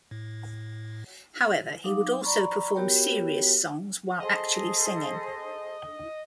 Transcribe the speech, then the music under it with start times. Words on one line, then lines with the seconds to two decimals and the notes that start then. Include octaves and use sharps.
However he would also perform serious songs while actually singing.
0.11 A2
1.84 F#3 D#4 F5 D6
2.23 D5 A#5 B5 C#6
2.75 B3 F#4 G4 A#4 C#5 G5
4.20 G#4 A4 C5 D#5